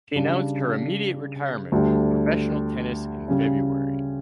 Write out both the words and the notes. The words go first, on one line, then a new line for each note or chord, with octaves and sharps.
She announced her immediate retirement from professional tennis in February.
C#3 G3 D4
D2 D3 G3 D4
C#3 G3 C#4